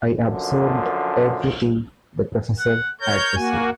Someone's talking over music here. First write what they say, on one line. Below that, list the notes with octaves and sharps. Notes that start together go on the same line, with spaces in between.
I absorbed everything the professor had to say.
F#2 D3 F3
F#5
A#4 C#5 G6
A#3 F#4 G#5